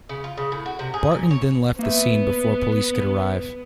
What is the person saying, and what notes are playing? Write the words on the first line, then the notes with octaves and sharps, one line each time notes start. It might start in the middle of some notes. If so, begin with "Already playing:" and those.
Barton then left the scene before police could arrive.
C#3
F4
C#3
A2
F#4
C3
G#4
A#2
C#5
A#3 B3 E5